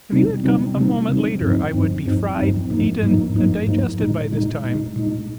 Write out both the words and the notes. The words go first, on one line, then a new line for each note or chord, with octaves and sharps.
If you had come a moment later, I would be fried, eaten, and digested by this time.
C3 G3 C4 D#4
C3 G3 C4 D#4
C3 G3 C4 D#4
C3 G3 C4 D#4
G2 F3 C4 D#4
G2 F3 C4 D#4
G2 F3 C4 D#4
G2 F3 C4 D#4
G#2 F3 A#3 D#4
G#2 F3 A#3 D#4
G#2 F3 A#3 D#4
G#2 F3 A#3 D#4
A#2 G#3 D#4
A#2 G#3 D#4
A#2 G#3 D#4
A#2 G#3 D#4